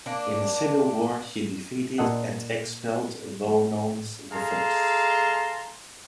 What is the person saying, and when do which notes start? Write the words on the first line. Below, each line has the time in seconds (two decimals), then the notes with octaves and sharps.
In a civil war he defeated and expelled Vonones the First.
0.06 A#3 D4
1.98 A#2 D4 A4 D#5 F#5
4.32 G#3 A4 F5 A5 A#5 C6